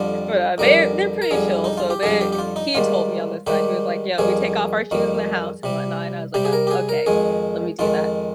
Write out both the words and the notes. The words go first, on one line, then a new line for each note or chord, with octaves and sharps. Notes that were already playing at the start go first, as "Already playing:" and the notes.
Well, they're they're pretty chill, so, they he told me on the side. He was like, "Yeah. We take off our shoes in the house and whatnot," and I was like, "Oh, okay. Let me do that,"
Already playing: F2 D3 G3 F4
F2 D3 G3 A#4
A#4
F2 D3 G3 G#4
D#4
F4
G4
F2 D3 G3 G#4
G4
G4
F4
D#4
G#2 D#3 G3 F4
G#2 D#3 G3 G4
F2 D#3 G3 G#4
F2 D#3 G3
C3 G3
C3 G3 G4
G#4
A#4
G4
G#4
A#4
F2 D#3 G#3 G#4
F2 D#3 G#3 F4